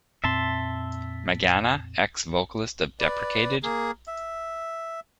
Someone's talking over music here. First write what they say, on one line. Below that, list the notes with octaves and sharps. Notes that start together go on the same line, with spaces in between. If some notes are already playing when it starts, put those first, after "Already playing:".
Magana, ex-vocalist of "Deprecated".
F2 A#2 C4 E5 A5 C6
B4 D5
A#3 G#4
E5